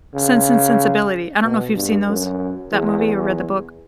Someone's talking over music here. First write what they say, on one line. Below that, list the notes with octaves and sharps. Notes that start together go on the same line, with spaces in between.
Sense and Sensibility, I don't know if you've seen those? That movie, or read the book?
C#3
B2
G2
F#2
E2